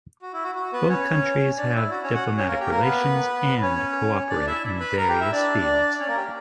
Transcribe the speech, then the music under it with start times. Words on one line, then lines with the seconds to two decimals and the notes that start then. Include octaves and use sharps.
Both countries have diplomatic relations and cooperate in various fields.
0.22 F#4
0.33 E4
0.43 F#4
0.55 F#4
0.73 B3 B4
0.89 C#4 C#5
1.57 D4 D5
1.75 E4
1.91 F#4
2.03 C#4 C#5
2.14 F#4 F#5
2.37 C#4 C#5
2.48 A#3 A#4
2.60 G4
2.70 A#3 A#4
2.82 B3 B4
3.62 C#4 C#5
4.30 D4 D5
4.47 E4 E5
4.80 B4 B5
4.97 A#4 A#5
5.09 G4 G5
5.20 E4 E5
5.32 D4 D5
6.00 C#4 C#5
6.08 A#3 A#4
6.16 G4